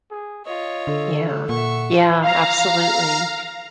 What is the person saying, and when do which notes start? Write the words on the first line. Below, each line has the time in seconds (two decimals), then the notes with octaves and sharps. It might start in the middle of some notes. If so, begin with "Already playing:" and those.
Yeah, yeah absolutely.
0.11 G#4
0.46 F4 C#5 D#5
0.87 D3 A4
1.49 A#2 E5 F#5 C#6
2.22 F5 A#5